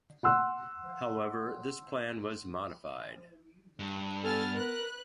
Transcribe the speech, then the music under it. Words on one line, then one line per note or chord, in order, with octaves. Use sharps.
However, this planwas modified.
F#5 C6 E6 F#6
G2
B3 A4 G#5 F6 A6
A#4 B4 F#6